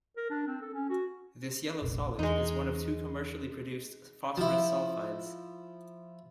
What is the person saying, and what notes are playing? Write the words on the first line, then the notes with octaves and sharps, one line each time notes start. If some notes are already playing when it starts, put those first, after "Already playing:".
This yellow solid is one of two commercially produced phosphorus sulfides.
A#4
D4
C4
A4
C#4
F#4
F1 A#1
E2 G#3 D#4
F3 E4